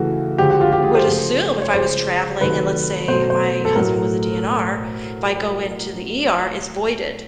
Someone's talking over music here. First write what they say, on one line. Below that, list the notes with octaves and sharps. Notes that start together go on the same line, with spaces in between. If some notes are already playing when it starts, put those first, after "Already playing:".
would assume if I was traveling and let's say my husband was a DNR, if I go into the ER it's voided
Already playing: C#3 E3 A3 F#4
D3 F3 G#3 G4
F#4
F4
G4
G#4
C5
C#3 F3 A3
C#5
C#3 F3 G#3 C5
C3 D#3 F#3 A3 B4
B2 F#3 A3 C5
C5
A4
A2 F#3 A3 A#4